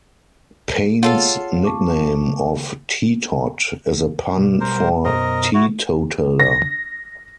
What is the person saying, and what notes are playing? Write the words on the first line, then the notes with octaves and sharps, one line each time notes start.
Payne's nickname of "Tee Tot" is a pun for "teetotaler".
F4 G#4 A4 C#5 F5 F#5
A5 C#6 D6
B1 G3
A#4 C5
F#2 B2 A#4 C5 D#5
E4 F#4
A#6